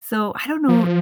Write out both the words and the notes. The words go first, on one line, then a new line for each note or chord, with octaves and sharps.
So I don't know
F3